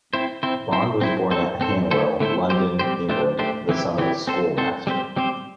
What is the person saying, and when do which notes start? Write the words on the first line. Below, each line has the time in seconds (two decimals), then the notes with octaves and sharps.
Bond was born at Hanwell, London, England, the son of a schoolmaster.
0.13 C4 E4 C5
0.43 C4 E4 C5
0.73 C4 E4 C5
1.01 C4 E4 C5
1.31 C4 A4 C5
1.61 C4 A4 C5
1.91 D3 A3 E4 A4 C5
2.20 D3 A3 E4 A4 C5
2.50 G3 C4 G4 C5
2.79 G3 C4 G4 C5
3.09 A3 D4 G4 C5
3.39 A3 D4 G4 C5
3.69 E3 C4 E4 G4
3.98 E3 C4 E4 G4
4.27 C4 A4 C5
4.58 C4 A4 C5
4.87 G3 C4 G4 C5
5.16 G3 C4 G4 C5